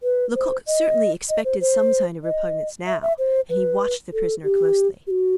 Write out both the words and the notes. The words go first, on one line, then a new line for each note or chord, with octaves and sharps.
Lecoq certainly expected some sign of repugnance now, and he watched the prisoner closely.
B4
C5
D#5
D#5
C5
C5
D#5
E5
E5
C5
B4
A4
G4
G4
F#4